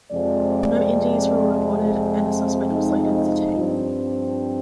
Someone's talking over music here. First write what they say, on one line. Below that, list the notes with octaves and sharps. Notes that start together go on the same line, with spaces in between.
No injuries were reported, and a suspect was later detained.
F2 C3 F3 G#3 D5
D#4
G2 F3 C4